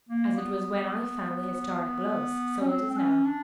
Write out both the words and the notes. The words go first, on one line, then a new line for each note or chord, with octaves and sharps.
As it was when I found the historic gloves, so it is now.
A#3
B3
C#4
C4
C4
C#4
D4